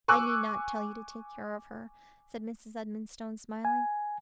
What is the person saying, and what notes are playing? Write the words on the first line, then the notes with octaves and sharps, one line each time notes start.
'I need not tell you to take care of her,' said Mrs. Edmonstone, smiling.
G#5 C#6 D6 E6 F#6
G#5